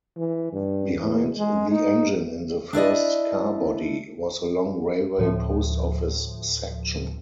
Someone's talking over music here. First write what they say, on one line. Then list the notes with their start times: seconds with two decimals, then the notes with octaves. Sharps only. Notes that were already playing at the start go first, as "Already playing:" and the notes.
Behind the engine in the first carbody was a long railway post office section.
0.17 E3
0.53 G2
1.00 E2
1.36 G#3
1.72 D#4
2.73 D4 E4 D5 D#5
5.18 D2 A2 F3